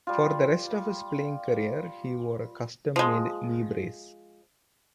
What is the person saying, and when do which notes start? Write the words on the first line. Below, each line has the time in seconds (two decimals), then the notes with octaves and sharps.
For the rest of his playing career, he wore a custom-made knee brace.
0.07 G3 F4
2.96 F3 G#3